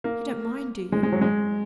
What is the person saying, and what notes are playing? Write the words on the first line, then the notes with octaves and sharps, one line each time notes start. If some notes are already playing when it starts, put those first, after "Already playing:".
You don't mind, do you?
A#3
G#3
G#3
F#3
G#3